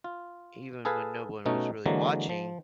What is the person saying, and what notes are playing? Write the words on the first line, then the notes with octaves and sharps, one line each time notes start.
even when no one was really watching,
F4
G#4 A4 B4 F5 G#5 A5
B2 A3 C#4 D#4
D3 E3 F#3 G#3 A#3
F3